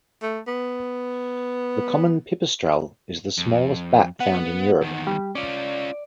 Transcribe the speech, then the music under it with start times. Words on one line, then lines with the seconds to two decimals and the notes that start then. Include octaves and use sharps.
The common pipistrelle is the smallest bat found in Europe.
0.23 A3
0.47 B3
3.38 F2
4.20 B3 F#5
4.81 E2 D#3
5.07 G3
5.35 C#4 F4 D5